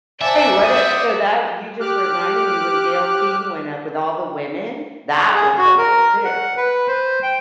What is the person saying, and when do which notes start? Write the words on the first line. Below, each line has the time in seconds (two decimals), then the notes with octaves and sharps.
Hey, what, uh so that you just reminded me when Gayle King went up with all the women, that was hopeful too.
0.21 C5 D5 E5 F#5 G#5 A5
0.64 C4 D5 D#6 D#7
1.80 G4 D6 F6 F#6
5.34 G#4
5.58 F#4
5.78 A#4
6.25 F#5
6.57 B4
6.88 C5
7.23 G5